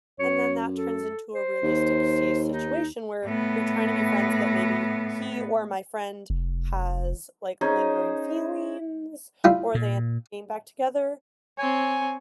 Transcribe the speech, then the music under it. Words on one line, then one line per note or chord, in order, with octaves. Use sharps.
and then that turns into a really sticky situation, where you're trying to be friends, but maybe he or my friend has, like, lingering feelings or they end up getting back together.
F#2 C#5
A4
C5
D#2
D#4
A2 B3
F1
C#4 D#4 G#4 C5
G3 E4 F4
A#2
C4 C#5 G#5